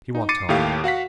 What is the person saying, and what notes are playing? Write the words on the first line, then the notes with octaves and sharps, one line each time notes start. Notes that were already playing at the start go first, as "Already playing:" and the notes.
She walked home.
D#4
D6 A6 C7 C#7 D#7
D#2 A2 A3 G4 F5
F#4 F5 F#5 B6